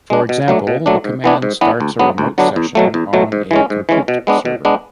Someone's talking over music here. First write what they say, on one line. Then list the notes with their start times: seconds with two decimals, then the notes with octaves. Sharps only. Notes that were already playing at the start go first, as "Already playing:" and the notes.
For example, the command starts a remote session on a compute server.
0.10 G#3 D4
0.29 B2
0.48 F#3 A3 D4
0.67 B2
0.86 F#3 A3 D4
1.04 G#2
1.24 E3 B3 D4
1.42 G#2
1.61 E3 B3 D4
1.80 D2
1.99 D3 F#3 B3 D4
2.18 D2
2.38 D3 F#3 B3 D4
2.56 E2
2.75 B2 F#3 A3
2.94 E2
3.13 B2 F#3 A3
3.32 G#2
3.51 E3 G#3 C#4
3.70 G#2
3.89 E3 G#3 C#4
4.08 B2
4.27 G#3 B3 D4
4.45 B2
4.65 G#3 B3 D4